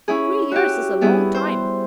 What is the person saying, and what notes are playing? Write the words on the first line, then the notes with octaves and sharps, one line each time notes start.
Three years is a long time.
C#4 E4 G#4
F#4 G4
G3 B3 E4 G#4
C5